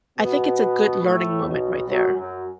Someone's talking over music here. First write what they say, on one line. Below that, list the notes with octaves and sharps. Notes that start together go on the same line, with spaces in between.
I think it's a good learning moment right there.
B2 B3
A2 A3
B1 B2
F#2 F#3
F#2 F#3